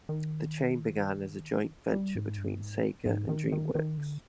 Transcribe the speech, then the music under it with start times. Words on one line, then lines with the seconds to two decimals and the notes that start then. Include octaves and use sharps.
The chain began as a joint venture between Sega and DreamWorks.
0.09 D#3
1.92 G3
2.15 G#2
2.38 G2
2.60 G#2
3.06 G#2
3.29 D#3
3.52 D#3
3.75 D#3
3.98 D3